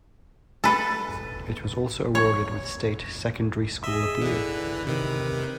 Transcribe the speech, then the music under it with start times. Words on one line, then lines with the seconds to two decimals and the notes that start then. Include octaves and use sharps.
It was also awarded with State 'Secondary School of the Year'.
0.64 A4 B4
2.15 C#5
3.84 G#4 D#5 E5
4.21 D3 E3 B4
4.87 C3 D#3